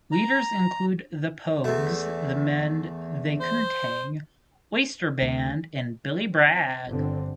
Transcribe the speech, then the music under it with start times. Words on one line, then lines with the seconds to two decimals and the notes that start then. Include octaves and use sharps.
Leaders included The Pogues, The Men They Couldn't Hang, Oyster Band and Billy Bragg.
0.12 A#5
1.64 E2 A3
3.40 C5
5.22 D2
6.32 C4
6.87 G1 D3 C4